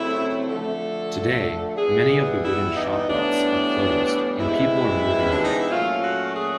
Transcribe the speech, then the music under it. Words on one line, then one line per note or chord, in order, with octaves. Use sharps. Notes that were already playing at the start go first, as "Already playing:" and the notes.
Today many of the wooden shoplots are closed and people are moving away.
Already playing: C#3 F#3 A3 C4 E4
D3 F3 A3 A4
E3 G3 B3 G#4
E4
D#4
D4
D#4
A2 E3 G3 B3 D4
C3 E3 G#3 B3 E4
C#4
D4
D#4
E4
A#2 F#3 A3 C#4 F4
F#4
G#4